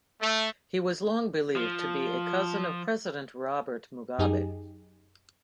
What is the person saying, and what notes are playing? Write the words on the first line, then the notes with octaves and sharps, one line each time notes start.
He was long believed to be a cousin of President Robert Mugabe.
A3
F3
F#2 D#4 G4 G#4